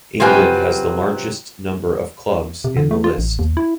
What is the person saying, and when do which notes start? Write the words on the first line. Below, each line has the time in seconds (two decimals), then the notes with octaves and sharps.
England has the largest number of clubs in the list.
0.20 C3 F#3 F4 G4 B4 G#5
2.64 C3
2.77 D3
2.91 A3
3.04 F4
3.18 A1
3.39 D#2
3.57 E4